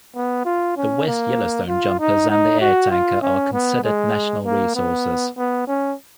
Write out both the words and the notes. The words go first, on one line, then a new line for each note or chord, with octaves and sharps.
The West Yellowstone jumpers and the air tanker are considered national resources.
B3
F4
C#4
A#3
F4
D#4
D#4
F#4
F4
C#4
B3
G#3
A#3
B3
B3
C#4